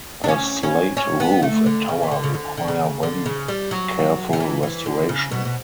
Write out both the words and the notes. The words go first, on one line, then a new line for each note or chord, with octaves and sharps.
The slate roof and tower require very careful restoration.
D4
C#4
C#4
C#4
B3
A3
D3
C#3
E3
D3
C#3
D3
D3
C#3
D3
C#3
G3
F#3
D3
E3
E3
D3
C#3
B2
B2